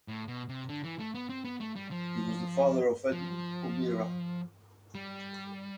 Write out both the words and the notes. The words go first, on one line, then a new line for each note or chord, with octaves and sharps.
He was the father of Edmund O'Meara.
A2
B2
C3
D3
E3
A3
B3
C4
B3
A3
G3
F3
F3
G3